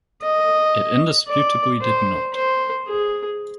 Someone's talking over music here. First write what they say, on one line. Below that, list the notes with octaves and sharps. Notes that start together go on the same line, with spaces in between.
It indisputably did not.
D#5
D5
C5
C5
G#4